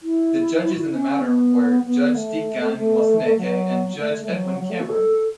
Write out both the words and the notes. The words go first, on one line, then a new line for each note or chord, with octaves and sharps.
The judges in the matter were: Judge Dikgang Moseneke and Judge Edwin Cameron.
E4
E4
F#4
E4
C#4
B3
B3
A3
A3
F#3
A3
A3
F#3
F#3
A3
F#4
A4